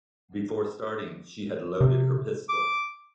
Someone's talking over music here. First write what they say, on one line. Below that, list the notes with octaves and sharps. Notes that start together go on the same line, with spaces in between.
Before starting she had loaded her pistol.
C3
D6